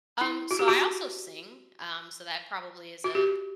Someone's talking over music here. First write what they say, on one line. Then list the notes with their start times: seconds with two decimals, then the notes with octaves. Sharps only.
Um, so, I also sing, um, so that probably is a th
0.21 E4
0.51 F#4
0.59 G4
0.68 F#4
3.04 F#4
3.15 G4